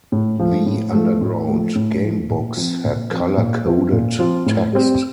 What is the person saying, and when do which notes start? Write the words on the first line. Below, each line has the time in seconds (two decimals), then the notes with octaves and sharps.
The Underground game books had color-coded text.
0.12 A2
0.40 F3 A3
0.66 A2
0.93 F3 A3
1.21 A2
1.48 F3 A3
1.75 A2
2.02 F3 A3
2.30 A#2
2.57 F3 C4 F4
2.84 A#2
3.11 F3 C4 F4
3.37 A#2
3.65 F3 C4 F4
3.92 A#2
4.19 F3 C4 F4
4.46 A2
4.73 G3 C4 G4